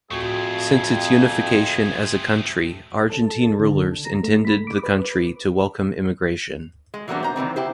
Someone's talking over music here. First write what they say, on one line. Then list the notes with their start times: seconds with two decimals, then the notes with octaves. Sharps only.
Since its unification as a country, Argentine rulers intended the country to welcome immigration.
0.11 F2 A2 A3 C4 F#4 G#4 G#6
3.10 A4
3.60 D3
4.05 A#5
4.23 A3
4.45 B5
4.67 D6
4.83 B4
6.94 G#3
7.08 E3 F#3 G3 A#3 B3 D4
7.23 C5 A#5
7.36 C3 D#3 E3 C4
7.56 E4 G4 C5